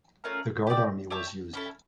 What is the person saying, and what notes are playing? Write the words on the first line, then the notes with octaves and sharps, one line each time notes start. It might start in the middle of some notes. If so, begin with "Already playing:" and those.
The guard army was used.
A3 C#4 F4 A#4
G4 D5 G5
G4 C#5 E5 A5
C#4 E4 A4